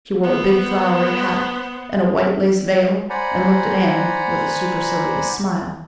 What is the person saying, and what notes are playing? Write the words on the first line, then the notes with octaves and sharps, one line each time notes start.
She wore a big flowery hat and a white lace veil and looked at Anne with a supercilious smile.
B3 C5
C5 D5 F#5 G#5 A#5 B5